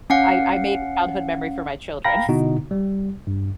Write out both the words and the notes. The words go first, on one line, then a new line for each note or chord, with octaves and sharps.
I I made a childhood memory for my children.
C#4 F5 F#5
F5 G5 A#5 B5 A#6
B2 D3 D#4 E4 F#4
G3
G2